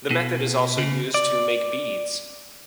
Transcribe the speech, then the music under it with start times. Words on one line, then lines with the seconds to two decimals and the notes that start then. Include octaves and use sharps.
The method is also used to make beads.
0.11 B2
0.78 C#3
1.14 D5